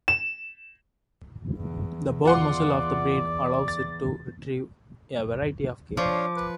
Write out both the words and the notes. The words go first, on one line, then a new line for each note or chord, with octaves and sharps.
The broad muzzle of the breed allows it to retrieve a variety of game.
E7
E2
F4 D5 F#5 C6
A6
F3 D4 C#5 F5 D6
B4